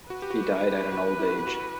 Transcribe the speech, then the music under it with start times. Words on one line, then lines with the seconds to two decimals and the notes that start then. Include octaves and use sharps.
He died at an old age.
0.10 F#4 B4
0.22 G4
0.30 F#4
0.43 F#4
0.51 G4
0.71 G4
0.92 F#4
1.19 E4
1.47 F#4